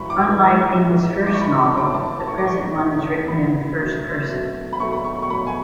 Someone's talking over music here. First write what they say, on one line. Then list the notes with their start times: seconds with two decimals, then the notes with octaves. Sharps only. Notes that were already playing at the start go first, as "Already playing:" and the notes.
Unlike in his first novel, the present one is written in the first person.
Already playing: G#2 E3 G#3 B5 C#6
0.10 D6
0.27 G#2 E3 G#3
0.76 G#2 E3 G#3
1.27 G#2 E3 G#3 D6
1.34 C#6
1.41 B5
1.48 C#6
1.77 A2 E3 A3 D6
1.94 A5
2.11 A5
2.27 A2 E3 A3 C#6
2.38 D6
2.48 C#6
2.78 A2 E3 A3
3.28 A2 E3 A3 B5
3.79 B2 F#3 A3
4.29 B2 F#3 A3
4.73 B5
4.80 B2 F#3 A3 C#6
4.93 B5
5.04 C#6
5.22 C#6
5.30 B2 F#3 A3 B5
5.47 G#5